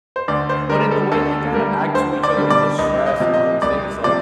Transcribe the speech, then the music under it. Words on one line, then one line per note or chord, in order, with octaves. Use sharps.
but in the way they kinda act to each other, and the stress, and all these things. It's like,
C5
D2 D5
C5
D3 G3 A#4
A4
D2 A4
D3 G3 A#4
D2 C5
D5
D3 G3
D5
C2 D#5
D#5
C3 F3
D#5
C2 D5
C3 F3 D5